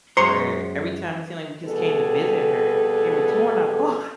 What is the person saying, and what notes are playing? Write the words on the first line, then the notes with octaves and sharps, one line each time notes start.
where every time it seemed, like, we just came to visit her, they were towing our car.
F#2 G#3 C5 A#5 C6 C#6
F2 B2 G3 G#4 A4 B4